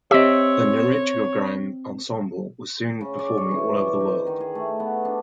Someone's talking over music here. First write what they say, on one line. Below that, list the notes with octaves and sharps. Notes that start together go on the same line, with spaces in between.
The Nrityagram ensemble was soon performing all over the world.
C4 G4 C#5 D#5 E5
C#3
D5
C#5
E3
D5
D#4
D#3
G#4
A3
B3
D4